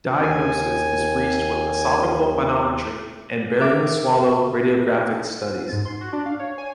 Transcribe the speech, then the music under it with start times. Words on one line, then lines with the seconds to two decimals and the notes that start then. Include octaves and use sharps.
Diagnosis is reached with esophageal manometry and barium swallow radiographic studies.
0.21 D#2 G#5
3.60 A#4 E5 D6
5.72 G#2
5.85 C6
6.01 F#4
6.13 D4
6.26 F5
6.39 C#5
6.58 G#5